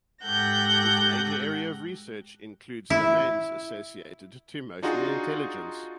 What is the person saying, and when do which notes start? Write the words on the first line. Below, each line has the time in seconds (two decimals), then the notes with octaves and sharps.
His major area of research includes domains associated to Emotional Intelligence.
0.24 G#2 G4 A4 F#5 G6 A#6
2.90 E4
4.83 D4 D#4 F4 F#4 G#4